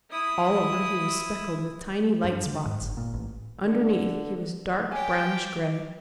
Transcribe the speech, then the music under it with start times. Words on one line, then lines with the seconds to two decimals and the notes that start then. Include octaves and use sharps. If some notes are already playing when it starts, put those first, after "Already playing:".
All over he was speckled with tiny light spots. Underneath he was dark brownish-gray.
0.10 E4 D#6
2.24 G2
2.46 D3
2.66 G#2
2.81 G1
2.97 A#2
3.13 A1
3.59 D3
4.92 G4 C#5 G5 G#5